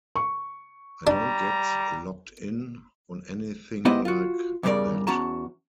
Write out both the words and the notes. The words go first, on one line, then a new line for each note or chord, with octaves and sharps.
I don't get locked in on anything like that.
C#6
G3 D4 A#5
B3 E4 G4 C5 D#5
F4 F#4
E2 G2 C#3 G3 A#4 D5
E2 C#4 F#4 A5 A#5